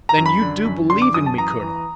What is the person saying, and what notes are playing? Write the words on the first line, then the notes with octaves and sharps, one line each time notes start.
"Then you do believe in me, Colonel?"
A#5
F#2
B5
D3
F#2
D3 C6
D6
F#2 D#6
A5
E3 A#5
E3